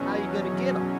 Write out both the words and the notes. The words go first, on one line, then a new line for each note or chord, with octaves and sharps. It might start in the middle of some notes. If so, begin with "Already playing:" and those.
"How you going to get them?"
Already playing: E2 B2 F#3 C#4